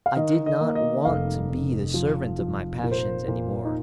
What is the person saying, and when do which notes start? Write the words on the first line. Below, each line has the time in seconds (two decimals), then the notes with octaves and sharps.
I did not want to be the servant of my passions any more.
0.06 F5
0.16 D#3 D#5
0.46 D#5
0.61 A#3
0.75 D#5
1.05 F1 F5
1.49 F1
1.94 F3
2.39 F3
2.83 A#2 A#4
2.92 C5
2.98 A#4
3.28 A#2
3.65 D#4